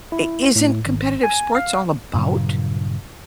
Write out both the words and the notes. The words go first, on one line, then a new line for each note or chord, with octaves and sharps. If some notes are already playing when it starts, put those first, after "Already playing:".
I Isn't competitive sports all about
E4
A2
G#1
G#5
F5
G2 A#2 C#3 F#3